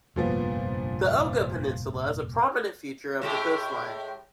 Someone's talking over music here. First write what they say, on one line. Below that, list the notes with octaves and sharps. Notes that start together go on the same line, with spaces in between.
The Oga Peninsula is a prominent feature of the coastline.
F1 A#1 G2 A#2 F3 B3
A2 G#3 G4